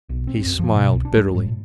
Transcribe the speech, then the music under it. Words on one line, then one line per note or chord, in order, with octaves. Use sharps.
He smiled bitterly.
B1
C4
F#2
F3
B2
C2
D4
G3
G#2
A#2